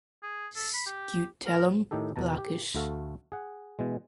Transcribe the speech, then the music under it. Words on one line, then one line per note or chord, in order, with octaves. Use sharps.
Scutellum blackish.
G#4
A4
B5
G4
A#4
A2 D#3 D#4 G4 A4
E2 B2 A5 A#5
G4
D2 A3 F#4 A4 F5
G#4 F#5
B2 E3 G#3